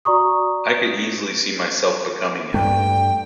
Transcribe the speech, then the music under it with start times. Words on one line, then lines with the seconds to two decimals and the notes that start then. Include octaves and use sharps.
I could easily see myself becoming him.
0.05 F#4 D5 A#5 C#6 D#6
2.54 G2 A3 G5